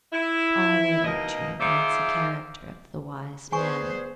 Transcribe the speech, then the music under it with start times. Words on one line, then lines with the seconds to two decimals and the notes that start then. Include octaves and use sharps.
All literature writes the character of the wise man.
0.13 E4
1.04 B2 A#3 D#4 D#5
1.60 D#4 F4 G#4 C5 D5 E5
3.52 B3 G#4 B4 C5 D5 G#5 C#6